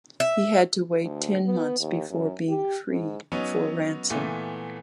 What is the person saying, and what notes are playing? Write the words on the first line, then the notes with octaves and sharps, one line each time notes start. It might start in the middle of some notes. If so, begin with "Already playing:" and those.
He had to wait ten months before being freed for ransom.
E5
D2
B3
D#2
F#2
G4
G#2
F#3 B3 C#4 D#4
A#2 E3 A3 B3